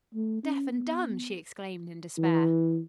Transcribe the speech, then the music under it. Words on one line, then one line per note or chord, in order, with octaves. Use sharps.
"Deaf and dumb!" she exclaimed in despair.
A3
C#4
B3
E3